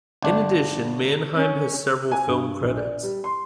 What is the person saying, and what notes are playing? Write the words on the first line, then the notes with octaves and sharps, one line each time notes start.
In addition, Manheim has several film credits.
G1 D4
C#4
G#5
G2
A#1
D5
G3
C6